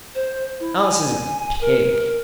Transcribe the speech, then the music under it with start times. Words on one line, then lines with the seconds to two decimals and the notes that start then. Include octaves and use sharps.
Alice is a pig.
0.15 C5
0.60 E4
0.81 G#5
1.61 A#4